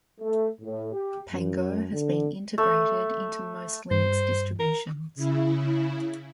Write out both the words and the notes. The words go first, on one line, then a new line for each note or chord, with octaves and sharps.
Pango has been integrated into most Linux distributions.
A3
A2
G4
F#2
D3
A3
G2 C5
A#4
C#3 E4